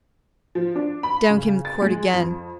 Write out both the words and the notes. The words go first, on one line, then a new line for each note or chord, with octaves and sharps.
Down came the quirt again.
F3
D4
B5
C#3
A6
G#3
F2